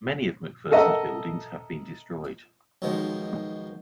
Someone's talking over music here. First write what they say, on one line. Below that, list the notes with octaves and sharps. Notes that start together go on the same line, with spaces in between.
Many of MacPherson's buildings have been destroyed.
A4 A#4 D#5 E5 F#5
B1 B2 D#3 F3 G#3